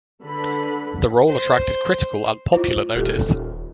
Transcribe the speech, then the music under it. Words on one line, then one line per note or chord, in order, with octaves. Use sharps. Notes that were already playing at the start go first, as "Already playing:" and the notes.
The role attracted critical and popular notice.
D3 A4 B4 B5
C5
E4 F4 C5
D#1 G4 A4